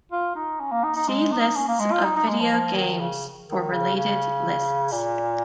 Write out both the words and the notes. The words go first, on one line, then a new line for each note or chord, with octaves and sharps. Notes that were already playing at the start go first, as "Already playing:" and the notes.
See Lists of video games for related lists.
F4
D#4
C#4
A#3
D#4
D#4
G#3
D#4
C#4
A#3
G#3
F4
D#4
D#4
G#3
F3
F3
D#3
C#3
D#3
C#3
C#3
A#2